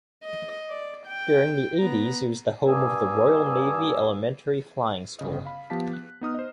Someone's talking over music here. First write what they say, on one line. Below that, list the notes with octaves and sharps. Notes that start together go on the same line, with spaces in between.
During the eighties it was the home of the Royal Navy Elementary Flying School.
D#5
D5
G5
B3 A#5
G2 A#3 G#5 D#6 E6
G1 C#3 D#5
F5 B5
F3 B3 G4 F5 A5 B6
F#6
B3 D#4 D#6 F6
C5 D#5